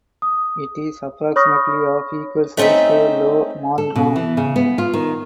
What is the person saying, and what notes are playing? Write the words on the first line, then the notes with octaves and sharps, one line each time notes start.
It is approximately of equal size to Low Marnham.
D#6
C#5 B5 C#6 D#6 F6 A#6
A3 C4 C#4 D#4 E5
A4
B2
E3
C#3
B3
F4
D#3